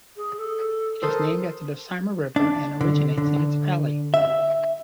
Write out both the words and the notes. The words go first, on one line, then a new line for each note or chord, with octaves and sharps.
It is named after the Sarma River and originates in its valley.
G#4
A4
A4 A#4 C5 D#6
D4
D3
D3
E5